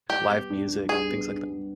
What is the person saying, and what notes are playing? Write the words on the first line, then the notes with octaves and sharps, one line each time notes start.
live music." things like that?
G3 G4
B3
D4
G3
G3 G#4
B3
D4
G3